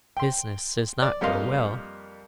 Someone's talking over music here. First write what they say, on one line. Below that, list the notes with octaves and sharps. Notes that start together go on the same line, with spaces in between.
'Business does not go well.
G5 C6
D5
F2 G3 A#3 D#5 F5 C6